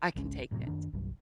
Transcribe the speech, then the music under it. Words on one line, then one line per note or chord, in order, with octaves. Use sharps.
I can take it.
G#1 C#2 G#3 C#4
D1 A2 C3 F#3
F#2 D#3 D4
G1 C2 G2 F#3